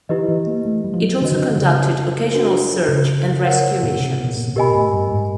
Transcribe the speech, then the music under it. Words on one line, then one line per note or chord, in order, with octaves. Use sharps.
It also conducted occasional search and rescue missions.
E3 E4 G4 B4 D#5
E3
A#3
A3
G3
F3
F#3
D3 D4 F#4 B4 D#5
D#3
D3
C#3
D4 F#4 B4
C#3
A#4 C#5 F#5
A#2
B2
C3
B2
A#2
C3
B2 G4 A#4 D#5 G#5 B5
A2
G2
G#2